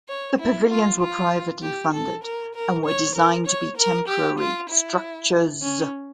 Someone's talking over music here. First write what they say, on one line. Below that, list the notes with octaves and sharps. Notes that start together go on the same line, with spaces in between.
The pavilions were privately funded and were designed to be temporary structures.
C#5
E4
F4
F4
G4
A4
A#4
A#4
C#5
A#4
C#5
A#4
G4
F4
E4
C#4